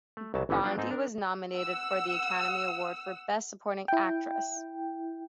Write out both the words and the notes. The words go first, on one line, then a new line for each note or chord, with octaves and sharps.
Bondi was nominated for the Academy Award for Best Supporting Actress.
A3
C2 C#3 F#3 A5
G1 E3 B3 C#4 D#4
F#3 B3 D4 F4 G4 D5
G#2 C4 D#4 A4
D4 A#4
F#5 E6
E4 G5